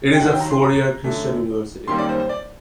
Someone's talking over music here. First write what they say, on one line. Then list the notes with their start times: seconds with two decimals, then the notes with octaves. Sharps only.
It is a four-year Christian university.
0.13 G5
0.20 D#2 D#3 F#3 F#5
0.30 G5
0.40 A#5
0.51 C6
0.62 A#5
1.04 F#2 D3 A3
1.88 F#2 D#3 G3 A#3 C6
1.98 D5
2.09 C5
2.20 C5
2.29 D5